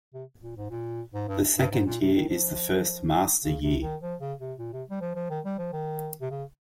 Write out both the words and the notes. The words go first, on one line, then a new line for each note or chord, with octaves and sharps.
The second year is the first master year.
C3
A#2
G#2
A#2
G#2
G2
G2
G#2
A#2
C3
D#3
F3
C#3
C3
D#3
F3
C#3
C3
A#2
C3
G3
F3
F3
D#3
G3
F3
D#3
C3
C#3